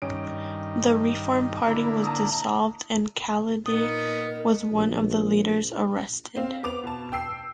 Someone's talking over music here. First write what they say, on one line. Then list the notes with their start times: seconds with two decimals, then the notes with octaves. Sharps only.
The Reform Party was dissolved and Khalidi was one of the leaders arrested.
0.02 G2 D#3 C#4 D7
1.67 D3 A#3 E4 A#5 B5
2.03 A5 A#5 D#6
3.66 A#2 B3 D#4 A#4 D#6
4.72 A#1
6.36 C4 F5
6.63 B3 D6 F7
6.83 B2 A5
7.12 G5 E6 C7